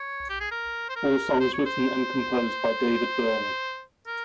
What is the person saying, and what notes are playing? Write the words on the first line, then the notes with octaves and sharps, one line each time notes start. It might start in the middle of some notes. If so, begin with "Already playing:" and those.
All songs written and composed by David Byrne.
Already playing: C#5
G4
G#4
A#4
C5
A#4
C5
C#5
C5
A#4